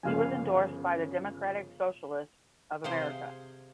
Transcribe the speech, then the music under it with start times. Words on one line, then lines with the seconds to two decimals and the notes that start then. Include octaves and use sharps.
He was endorsed by the Democratic Socialists of America.
0.03 G1 C#3 F3 A#3 F5 G#5
2.84 C3 G#4 C5 F5